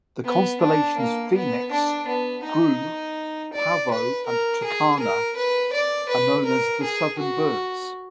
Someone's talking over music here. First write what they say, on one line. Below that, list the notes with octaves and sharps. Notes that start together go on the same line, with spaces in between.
The constellations Phoenix, Grus, Pavo and Tucana, are known as the Southern Birds.
B3
D4
A#3
B3
D4
B3
D#4
D5
B4
A#4
G#4
A#4
B4
D5
B4
A#4
G#4
F#4